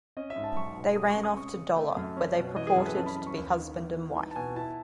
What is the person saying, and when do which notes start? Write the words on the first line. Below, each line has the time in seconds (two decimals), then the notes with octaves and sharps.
They ran off to Dollar where they purported to be husband and wife.
0.17 C#4 D#5
0.30 E5
0.36 G#2
0.44 A5
0.56 B1 C#6
0.77 B2
0.96 C#2 D#6
1.10 C#6
1.16 C#3
1.23 D#6
1.36 C#4 C#6
1.56 C#3
1.76 A3
1.97 F#2
2.17 C#4
2.36 B2
2.56 E3 D#5
2.67 G#4
2.76 F#2 A4
2.86 B4
2.96 C#4 A5
3.06 B5
3.16 E3 B5
3.27 C#6
3.37 D#2
3.56 D#3
3.77 B3
3.97 E3
4.16 D#4
4.31 A5
4.36 B2 G#5
4.56 E4 A5